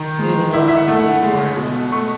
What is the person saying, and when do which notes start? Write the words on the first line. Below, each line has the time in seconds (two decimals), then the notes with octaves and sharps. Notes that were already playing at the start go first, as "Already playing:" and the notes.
moving on, doing more
Already playing: D#3
0.19 G#3
0.53 E4 E5
0.68 E5
0.77 F#5
0.88 A3
1.00 F#5
1.23 G#3
1.57 B2
1.92 A3 C#6